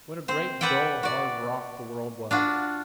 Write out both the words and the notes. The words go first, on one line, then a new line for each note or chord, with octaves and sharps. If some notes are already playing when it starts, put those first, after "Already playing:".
What a great dull hard rock the world was!
C4 C5
B4 D5 E5 F#5 G5
F#4 D5
D4 F4 F#4